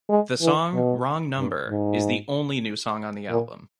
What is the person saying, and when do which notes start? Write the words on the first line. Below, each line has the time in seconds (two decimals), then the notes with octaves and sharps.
The song "Wrong Number" is the only new song on the album.
0.09 G#3
0.41 E3
0.74 B2
1.37 G2
1.69 G#2
3.30 A#2